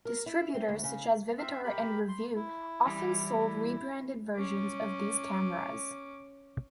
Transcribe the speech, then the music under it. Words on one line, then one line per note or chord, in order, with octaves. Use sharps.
Distributors such as Vivitar and Revue often sold rebranded versions of these cameras.
A#4
E4
C4
D2
C#3
C4 E5 F5
G4 A#4 B5
C6
E4
E3 G3
C#4 D6